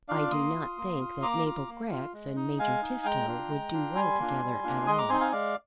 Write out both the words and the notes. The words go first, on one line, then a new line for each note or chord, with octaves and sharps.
"I do not think that Mabel Grex and Major Tifto would do well together at all."
D4 F4 D5 F5
A#3 C6 D#6
F4
A#3
F4
A#3 A#5 D6
F4
A#3
F4
G#3
D#4
G#3 F5 G#5
D#4
G#3 G5 A#5
D4 F4
G#3
D4 F4
G3 G#5 C6
A#3 D4 F4
G3
A#3 D4 F4
G#3 C6 D#6
A#5 D6
C4 D#4 G#5 C6
F5 G#5
G#3 D5 F5